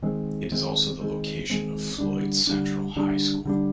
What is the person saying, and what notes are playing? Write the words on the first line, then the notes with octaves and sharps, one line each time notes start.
It is also the location of Floyd Central High School.
D#3 G#3 C4
D#3 G#3 C4
D#3 G#3 C4
D#3 G#3 C4
D3 G3 D4
D3 G3 D4
D3 G3 D4
D3 G3 D4